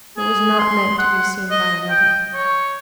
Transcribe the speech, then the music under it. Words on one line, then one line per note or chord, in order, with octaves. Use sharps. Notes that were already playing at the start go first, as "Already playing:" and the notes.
It was not meant to be seen by another.
G#4
C6
F#5
D#5
G5
C#5